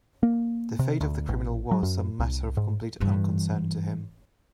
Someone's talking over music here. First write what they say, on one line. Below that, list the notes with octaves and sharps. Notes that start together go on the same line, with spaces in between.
The fate of the criminal was a matter of complete unconcern to him.
A#3
C3
D2
A1
F#3
F#2
C2
G#2
G2 E3